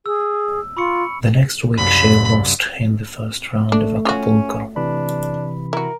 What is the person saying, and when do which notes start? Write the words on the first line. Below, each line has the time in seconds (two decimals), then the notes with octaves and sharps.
The next week she lost in the first round of Acapulco.
0.06 G#4 E6
0.77 F4 B5 C#6 C#7
1.77 C2 F#2 B5
3.72 A3 D4
4.05 C#4 F4 F#4
4.76 C3 E3 D4 B5
5.73 E4 F#4 A#4